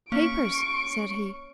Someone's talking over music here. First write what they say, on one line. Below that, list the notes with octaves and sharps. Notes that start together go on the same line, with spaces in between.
"Papers!" said he.
A#3 C#4 C#6 D7